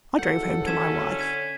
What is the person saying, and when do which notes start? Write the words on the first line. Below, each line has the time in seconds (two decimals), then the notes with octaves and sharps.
I drove home to my wife.
0.19 F#1 A4 F#5 G6
0.67 D3 C#4 G#6 B6 E7
1.19 G#6 B6 D#7